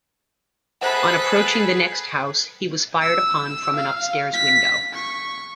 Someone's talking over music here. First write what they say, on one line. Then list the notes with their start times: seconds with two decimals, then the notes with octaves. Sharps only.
On approaching the next house, he was fired upon from an upstairs window.
0.81 G#4 A4 B4 C5 E5 F#5 F#6
3.01 E6
3.76 F5
4.33 B6
4.93 C#6